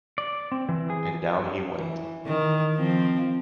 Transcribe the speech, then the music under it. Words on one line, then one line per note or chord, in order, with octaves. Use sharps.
And down he went.
D5
C4
E3
G#4
E3
D#3
F3 C4